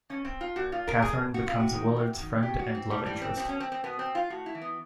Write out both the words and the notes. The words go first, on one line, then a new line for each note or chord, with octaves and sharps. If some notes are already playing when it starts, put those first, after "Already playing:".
Cathryn becomes Willard's friend and love interest.
B2 C#4
C4
F4
A#2 F#4
F4
A#4
A#2 G#4
F#4
C3 F4
F#4
D#3
C3
D#3
A2 G4
F#4
E3
C4
A2 G3
G3
E3
C4
B2 C4
C#4
C4
C4
B2 B3
C4
F4
A2 F#4
E4
E3
B3